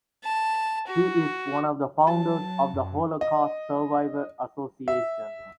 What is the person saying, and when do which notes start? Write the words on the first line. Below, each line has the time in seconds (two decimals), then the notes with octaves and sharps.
He is one of the founders of the Holocaust Survivor Association.
0.24 A5
0.87 F#4
2.07 F#3 A5
2.74 F#2
3.21 D#5
4.88 E5